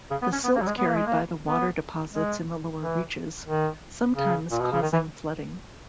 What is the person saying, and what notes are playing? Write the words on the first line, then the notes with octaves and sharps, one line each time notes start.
The silt carried by the water deposits in the lower reaches, sometimes causing flooding.
C#3
B3
C#4
B3
A#3
F#3
G#3
B3
A#3
G#3
A#3
B3
G#3
E3
D#3
C#3
A#2
B2
C#3
D#3
E3